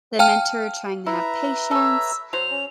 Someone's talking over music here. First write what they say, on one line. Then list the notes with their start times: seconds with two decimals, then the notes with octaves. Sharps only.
the mentor trying to have patience,
0.19 F5 G5 A5 F6
1.06 E4 B4 E5 A#5
1.71 A4 C#5 E6
2.33 F#3 C5 F7
2.51 C#4